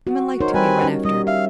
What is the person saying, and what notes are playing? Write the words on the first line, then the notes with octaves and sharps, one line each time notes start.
Women like to be run after.
F#4
D#4 A#4 C5 C#5
G3 C4 B4 G#5
C#4
G3 D#5
E5 F5